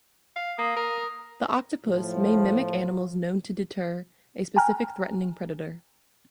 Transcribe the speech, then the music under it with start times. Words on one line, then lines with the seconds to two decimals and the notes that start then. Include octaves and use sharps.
The octopus may mimic animals known to deter a specific threatening predator.
0.36 F5
0.58 A#3 D#6
0.76 A#4
1.86 A2 F3
4.56 G5 G#5 A#5 F6